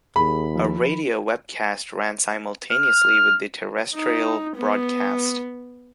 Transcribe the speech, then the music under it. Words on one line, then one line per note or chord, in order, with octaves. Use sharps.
A radio webcast ran simultaneously with the terrestrial broadcast.
D#2 G#4 B5
F3
F6
D#4
B3